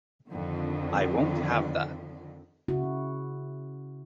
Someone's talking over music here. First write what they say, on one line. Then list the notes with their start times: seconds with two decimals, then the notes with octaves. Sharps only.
I won't have that.
0.27 F2 D3 D#3
2.68 C#3 E4 F#4